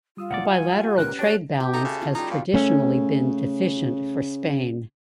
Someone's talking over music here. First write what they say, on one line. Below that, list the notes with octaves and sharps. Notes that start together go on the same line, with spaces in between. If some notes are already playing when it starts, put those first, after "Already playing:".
The bilateral trade balance has traditionally been deficient for Spain.
G3 F4 D#6 E6
C#2 A#2 D5 F#5
G#5
G4
C#2 A#2 C#4 G4 A#4 B4 F#6
D4 G4 C#5 G5
G4
A3 D#4 F#4 A4 D#5
C#3
C#4 F4
G3 D#4 F4
B2 F5
C#3 A3 C#4